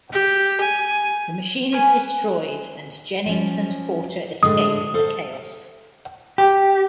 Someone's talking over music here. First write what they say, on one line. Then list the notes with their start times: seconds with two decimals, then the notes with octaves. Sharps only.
The machine is destroyed, and Jennings and Porter escape in the chaos.
0.12 G4
0.61 G#5
1.72 C#4 B4 G#5
3.26 F3 C#4
4.43 A2 D3 G#3 D#6
4.94 A4 C5 F5
6.38 G4